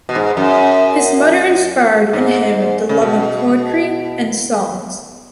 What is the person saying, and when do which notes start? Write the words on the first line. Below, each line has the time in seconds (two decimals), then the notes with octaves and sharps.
His mother inspired in him the love of poetry and songs.
0.09 B2
0.15 G#2
0.37 F#2
2.13 G#2
2.89 C#3
3.01 B2